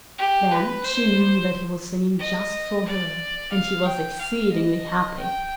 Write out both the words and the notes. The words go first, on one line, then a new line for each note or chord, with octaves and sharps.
Then she knew that he was singing just for her, and she was exceedingly happy.
G4
B4
C5
D#5
D5
F5
G5
F5
D#5
G5